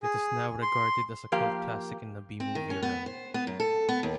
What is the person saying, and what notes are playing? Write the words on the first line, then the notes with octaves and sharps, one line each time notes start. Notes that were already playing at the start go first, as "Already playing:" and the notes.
It is now regarded as a cult classic in the B movie realm.
G#4
C6
F3 A#3 G4 F5
C4
D#3
C#4
B3
C5
B3
F#2
A4
B3
D#2